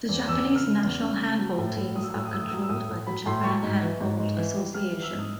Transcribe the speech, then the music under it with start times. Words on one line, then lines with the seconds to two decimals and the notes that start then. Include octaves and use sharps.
The Japanese national handball teams are controlled by the Japan Handball Association.
0.08 E2
0.28 E2 E6
0.46 C#3
0.56 F6
0.65 C#3
0.83 E2
1.02 C#3
1.21 C#3
1.39 F#3
1.58 A2
1.76 A2
1.95 F#3 D#6
2.03 E6
2.10 D#6
2.14 A2 E6
2.25 D#6
2.32 A2 E6
2.40 D#6
2.47 E6
2.51 F#3 D#6
2.62 E6
2.69 A2 D#6
2.88 A2
3.07 F#3 B5
3.26 A2 C6
3.44 F#3 C#6
3.63 G#2
3.82 E3
4.00 G#2
4.19 G#2
4.37 E3
4.57 G3
4.74 G3 F6
4.94 E3
5.02 E6
5.12 G#2
5.19 D#6